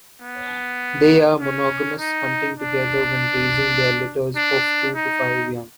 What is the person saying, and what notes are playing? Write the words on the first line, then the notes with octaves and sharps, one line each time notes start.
They are monogamous, hunting together when raising their litters of two to five young.
B3
C#4
D#4
D4
D4
D#4